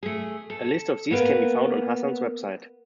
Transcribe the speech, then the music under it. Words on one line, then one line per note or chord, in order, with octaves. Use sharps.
A list of these can be found on Hassan's website.
A3 G#4
A4
A#3 B3 A#4 B4